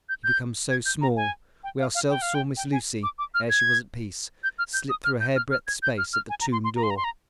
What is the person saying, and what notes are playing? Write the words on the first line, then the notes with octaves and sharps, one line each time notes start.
He become so small--we ourselves saw Miss Lucy, ere she was at peace, slip through a hairbreadth space at the tomb door.
G6
G6
G#6
G6
A#5
G#5
G5
F5
F5
G5
F5
G5
G5
G#5
D6
D6
F6
G#6
G6
F6
G6
D#6
F6
G6
F6
F6
G#6
G6
F6
F6
G#5
A#5
C6
C6
A#5
C6
A#5
C6
A#5